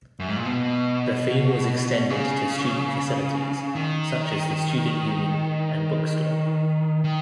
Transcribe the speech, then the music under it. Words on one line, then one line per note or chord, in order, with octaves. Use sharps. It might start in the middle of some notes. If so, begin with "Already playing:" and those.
The theme was extended to student facilities such as the student union and bookstore.
F#2
G#2
A#2
B2
C#3
D#3
D#3